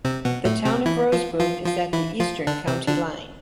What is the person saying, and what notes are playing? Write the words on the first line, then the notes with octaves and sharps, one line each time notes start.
The Town of Roseboom is at the eastern county line.
C3 C4
B2 B3
A2 A3
C3 C4
E3 E4
F3 F4
F3 F4
F3 F4
E3 E4
F3 F4
D3 D4
C3 C4
D3 D4